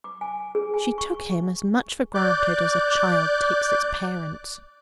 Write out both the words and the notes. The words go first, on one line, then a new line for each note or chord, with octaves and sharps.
She took him as much for granted as a child takes its parents.
D6
G#5
G#4
G#5
C#6
D5 D6 F#6 G6